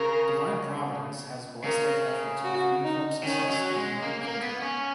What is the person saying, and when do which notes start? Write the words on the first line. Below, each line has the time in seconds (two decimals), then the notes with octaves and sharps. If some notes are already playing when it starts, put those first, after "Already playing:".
Divine Providence has blessed their efforts with uniform success and complete victory.
Already playing: C#3 A#4
1.64 C#3 A#4
2.44 F#4
2.84 D#4
3.23 D#3 C#4
3.50 F#3
3.76 G#3
4.02 A#3
4.23 A#3
4.43 B3
4.62 C#4